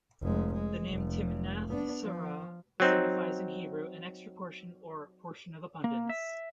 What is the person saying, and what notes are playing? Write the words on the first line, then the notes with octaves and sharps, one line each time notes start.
The name "Timnath-serah" signifies in Hebrew an "extra portion" or "portion of abundance".
F1 G#3
G#3
F1
B3 D4
F3
F#3 C4 D#4
A#3
E5